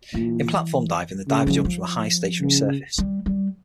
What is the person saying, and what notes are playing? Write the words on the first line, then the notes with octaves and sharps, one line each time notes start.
In platform diving, the diver jumps from a high stationary surface.
A#2 E3
C#3
F3
F3
C#3
G3
G3